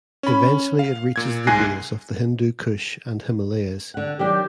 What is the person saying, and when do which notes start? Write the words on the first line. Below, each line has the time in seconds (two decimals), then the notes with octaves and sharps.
Eventually it reaches the base of the Hindu Kush and Himalayas.
0.23 C#4 B5
0.79 F5
1.16 A#2 G#6
1.47 C2 G#2 G#5 F#6 A#6 C7
3.94 D3 F#5
4.19 D#3 F#3 D4 G4